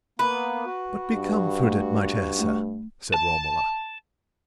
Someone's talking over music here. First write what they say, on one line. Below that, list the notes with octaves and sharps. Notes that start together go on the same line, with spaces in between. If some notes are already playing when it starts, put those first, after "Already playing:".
"But be comforted, my Tessa," said Romola.
A#3 B3 B4
F#4
G2
A3
A3
A5